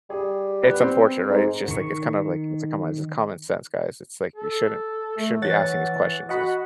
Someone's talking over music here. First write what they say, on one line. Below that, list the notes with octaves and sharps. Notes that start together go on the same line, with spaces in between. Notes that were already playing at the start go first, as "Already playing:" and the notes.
It's unfortunate, right? It's just like it's kind of like, it's a come on, it's just common sense, guys, it's like, you shouldn't you shouldn't be asking these questions is
G3 G#4
B3
C4
G#2
D#3 C#6
A4
A3
E3 C#5 F#5 A6
F#4 D#5 F#5 B5